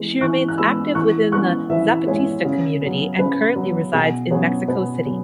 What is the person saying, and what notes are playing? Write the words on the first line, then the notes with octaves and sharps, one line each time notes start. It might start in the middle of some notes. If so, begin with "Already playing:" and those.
She remains active within the Zapatista community and currently resides in Mexico City.
Already playing: E3 G#3 B3
E3 C#6 F#6
F#6
G#3 B3 B5 E6
E3 C#6 F#6
G#3 B3 C#6 F#6
E3 B4 E5
G#3 B3 G#4 C#5
C#3
F#3 B3
C#3 B4
F#3 B3
B2 G#4
F#3 B3 G#4 C#5
B2 B4
F#3 B3